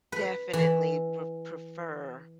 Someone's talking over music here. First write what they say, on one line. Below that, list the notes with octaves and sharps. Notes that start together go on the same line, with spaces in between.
Definitely re prefer
B4
E3